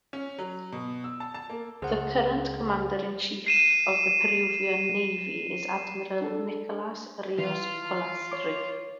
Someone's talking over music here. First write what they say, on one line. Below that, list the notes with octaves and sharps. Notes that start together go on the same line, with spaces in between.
The current Commander-in-Chief of the Peruvian Navy is Admiral Nicolas Rios Polastri.
C#4
F#3
B2
E6
A5
A5
A#3
C#2 G#4 C5 F#5
C7 D#7 E7
D4 A4
E3 F4
C#5 D6